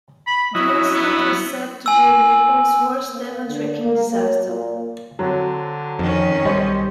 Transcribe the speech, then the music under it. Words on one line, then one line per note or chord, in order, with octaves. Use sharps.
The incident was said to be Nepal's worst-ever trekking disaster.
B5
F#3 E4 D#5
B3
G#5 E6
A#3
D3
A#3
F#3
A#2
D3 F#3 C4
F2 D#3 C#4
B1 G3 C5 C#5 D#5